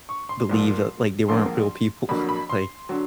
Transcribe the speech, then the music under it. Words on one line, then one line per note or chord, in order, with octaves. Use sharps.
believe that, like, they weren't real people, like,
C#6
C6
C2 A#2 F3
A#1 G#2 F3 A#3 C6
F2 D3 F#3 A#3 B5
B5
C6
D3 F#3